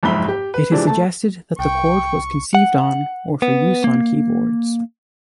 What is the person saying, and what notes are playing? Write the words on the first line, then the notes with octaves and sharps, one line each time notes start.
It is suggested that the chord was conceived on or for use on keyboards.
F#1 F2 G#2 E5 B5 G7
G4
B4
C3 E3 F3 G#3 D4
A3 A5
C2 G5 C#6
F#5
B3
A#3